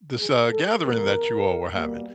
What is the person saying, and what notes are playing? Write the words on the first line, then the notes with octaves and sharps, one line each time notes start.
this, uh, gathering that you all were having.
G#4
A4
C3 E3 G#3 B3 A#4
B2 G3 A#3